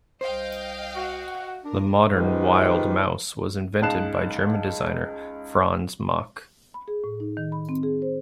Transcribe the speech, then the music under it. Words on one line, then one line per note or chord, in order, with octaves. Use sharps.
The modern Wild Mouse was invented by German designer Franz Mack.
C2 C5 D#5 F5 G5
F#4
D4 A#4
D#3 F3 G#3 G4 B4
C#2 D#4 A5 F#6 C7 E7
B5
G#4
A2
D#4
D#3
B5
C4
G#4
C5